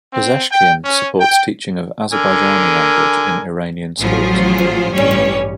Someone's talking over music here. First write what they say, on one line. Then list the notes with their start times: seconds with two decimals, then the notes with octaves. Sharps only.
Pezeshkian supports teaching of Azerbaijani language in Iranian schools.
0.12 C4
0.50 G5
0.83 C#4
1.18 G5
2.12 D3 A#4 G#5
3.99 A1 F3 F#3 F4 G#4 C5
4.93 A1 G2 G3 C#4 C#5